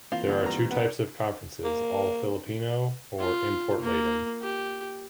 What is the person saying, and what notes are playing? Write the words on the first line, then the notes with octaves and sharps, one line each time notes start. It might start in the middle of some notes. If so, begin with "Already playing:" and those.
There are two types of conferences: All-Filipino or import-laden.
E3 A#3 C4 F4
D3 B3
G2 A#5
B3
A#3
F4
A#3
G4